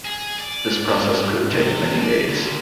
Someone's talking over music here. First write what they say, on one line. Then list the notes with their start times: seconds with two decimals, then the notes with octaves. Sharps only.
This process could take many days.
0.05 G#4
0.39 D5
0.89 G2
1.51 C3
1.84 D#2
2.05 D5
2.29 D2